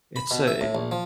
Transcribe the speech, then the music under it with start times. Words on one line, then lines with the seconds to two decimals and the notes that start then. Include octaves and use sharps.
it's a
0.16 B5
0.31 B2
0.47 E5
0.61 A2
0.75 A#1
0.91 F3